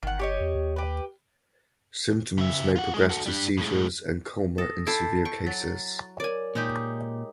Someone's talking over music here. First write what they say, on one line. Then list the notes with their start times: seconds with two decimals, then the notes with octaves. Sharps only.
Symptoms may progress to seizures and coma in severe cases.
0.03 G1 D#3 F#5
0.19 G4 C#5 D#5
0.40 E2
0.55 D#2
0.76 G4 B4
2.38 C#3 E5
2.76 F4 F#5
2.94 G#3
3.09 F#4 A4
3.26 G3 D4
3.58 A2 G#3
4.58 A4 D#6 A#6
4.87 E4 A4 G5 D6 C7
5.25 G5 C#6
5.46 F#3 A6
6.20 A#4 C#5 D5 G#5 D6
6.55 A#2 G#3 D#4 G4